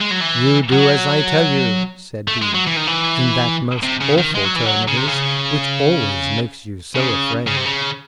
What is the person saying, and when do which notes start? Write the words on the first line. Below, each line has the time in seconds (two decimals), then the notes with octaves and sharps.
"You do as I tell you," said he, in that most awful tone of his, which always makes you so afraid.
0.01 G#3
0.11 F#3
0.21 E3
0.73 F#3
2.28 A3
2.41 G#3
2.54 F#3
2.66 E3
2.76 D#3
2.87 E3
3.83 C3
4.01 C#3
4.18 D#3
4.35 G#3
4.45 F#3
4.56 E3
4.66 F#3
4.88 C#3
4.97 C3
5.07 C#3
6.96 C#3
7.47 C#3
7.57 C3
7.65 C#3